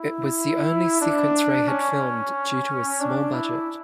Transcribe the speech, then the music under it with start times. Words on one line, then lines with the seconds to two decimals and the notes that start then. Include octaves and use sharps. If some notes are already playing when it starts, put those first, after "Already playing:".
It was the only sequence Ray had filmed due to his small budget.
Already playing: E4
1.01 D4
1.68 C#4
3.00 D4
3.34 E4